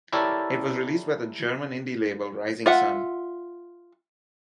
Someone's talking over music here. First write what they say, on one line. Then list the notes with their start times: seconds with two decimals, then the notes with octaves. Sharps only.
It was released by the German indie label Rising Sun.
0.13 E4 G4 A4 A#4 C#5 D5
2.66 F4 E5 F#5